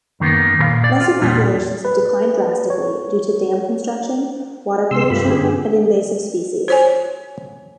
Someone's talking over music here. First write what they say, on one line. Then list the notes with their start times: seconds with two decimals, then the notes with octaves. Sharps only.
Mussel populations have declined drastically due to dam construction, water pollution, and invasive species.
0.20 F#2 D#3 A#3 B3
0.59 A#2 A#4 F5
0.84 D5
1.01 F4
1.22 E2 A#2 G3
1.85 B4
2.70 C#5
4.91 C3 G#3 C6 E6
5.10 G2 A3 F4 G4 B5
5.28 D3 B3 G4 G#4
6.68 C5 C#5 G#5